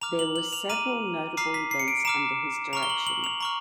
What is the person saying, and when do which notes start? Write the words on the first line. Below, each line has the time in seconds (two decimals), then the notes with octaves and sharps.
There were several notable events under his direction.
0.01 A#5 D6 F6 F7
0.19 F#7
0.36 F#7
0.53 F7
0.69 A#5 D6 F6 D#7
1.37 A#5 D6 F6 C7
1.54 B6
1.71 C7
1.79 C#7
1.88 D7
2.05 A#5 D6 F6 E7
2.73 A#5 C#6 F6 F7
2.83 G7
2.90 F#7
3.07 F#7
3.24 F7
3.40 A#5 C#6 F6